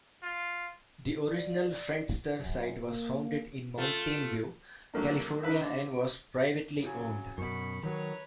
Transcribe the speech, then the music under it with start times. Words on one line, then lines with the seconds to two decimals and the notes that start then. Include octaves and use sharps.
The original Friendster site was founded in Mountain View, California and was privately owned.
0.23 F4
1.29 D5
2.38 F#2
2.80 A#3
3.78 A3 F4
4.94 F#3 A3 A#3 D4
5.43 D4 D#4 A#4 B4 E5
5.60 D3
6.79 C#3 F#3 G#5
7.38 F#2 B2 B5 C#6
7.83 D#3 F#3 B4 C#5 A#5